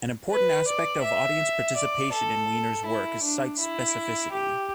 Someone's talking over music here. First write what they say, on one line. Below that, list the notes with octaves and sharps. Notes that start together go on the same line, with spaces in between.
An important aspect of audience participation in Weiner's work is site-specificity.
B4
D5
E5
D5
A4
E4
D4
E4
G4